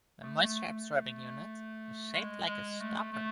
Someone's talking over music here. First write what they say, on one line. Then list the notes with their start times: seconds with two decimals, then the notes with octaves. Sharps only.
The moisture-absorbing unit is shaped like a stopper.
0.21 A3
0.43 A3
0.65 A3
2.15 G#3
2.47 G#3
2.81 A3
3.13 A3